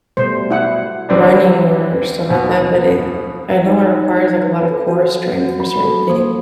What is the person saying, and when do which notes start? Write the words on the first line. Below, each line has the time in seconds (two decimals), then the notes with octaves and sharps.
running or stuff like that, but it I know it requires, like, a lot of core strength for certain things
0.17 B2 G3 A3 C5
0.50 E4 F#5
1.09 D3 E3 G3 C4 D4
2.29 D#2 B2
3.66 D#4
4.42 B4
4.70 A4
4.88 F#4
5.40 F#4
5.60 B5
5.83 A4
6.10 A#3